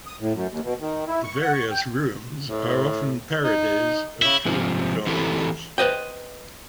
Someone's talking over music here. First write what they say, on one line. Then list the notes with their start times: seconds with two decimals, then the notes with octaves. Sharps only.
The various rooms are often parodies of film genres.
0.06 D#6
0.20 A2
0.34 F#2
0.50 D#2
0.64 B2
0.80 D#3
1.07 E4
1.23 C#6
1.42 F#5
1.53 C#6
1.71 G5
2.46 A2
3.44 D#4
4.22 C#3 E4
4.45 G#2 C3 F3
5.07 E3 C4 E4 G4 A4
5.78 B4 C5 D#5 G5